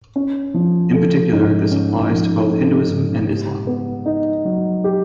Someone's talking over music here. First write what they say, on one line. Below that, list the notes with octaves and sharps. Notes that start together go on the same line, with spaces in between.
In particular this applies to both Hinduism and Islam.
C#4
F3
A3
G#2
C#4
F3
A3
G#2
G4
B3
D#4
F#3
G4